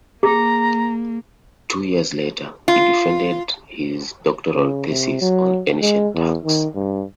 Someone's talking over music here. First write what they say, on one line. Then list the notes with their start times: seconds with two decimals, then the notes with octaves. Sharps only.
Two years later, he defended his doctoral thesis on ancient Turks.
0.23 A#3 G#4 A#5
2.68 F4
4.54 C#3
4.89 C3
5.21 F#3
5.81 G#3
6.14 E2
6.45 D#3
6.75 G2